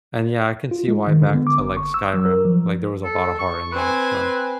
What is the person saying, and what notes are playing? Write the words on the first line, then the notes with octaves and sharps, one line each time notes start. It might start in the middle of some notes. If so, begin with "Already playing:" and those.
And, yeah, I can see why back to, like, Skyrim, like, there was a lotta heart in that, so
F4
G#3
D#3
D3
B3
D6
G1
C#6
E6
F#3
A#4
F3
A4
C#6
C4 B4 G#5